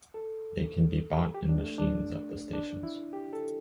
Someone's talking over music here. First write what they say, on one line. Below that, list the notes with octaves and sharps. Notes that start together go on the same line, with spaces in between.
They can be bought in machines at the stations.
A4
G4
D4
A3
D4
D4
E4
G4
A4